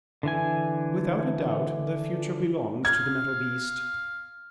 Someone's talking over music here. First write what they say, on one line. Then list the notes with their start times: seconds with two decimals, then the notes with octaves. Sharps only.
Without a doubt the future belongs to the metal beast.
0.23 D3 E3 G#5
2.85 F5 G#6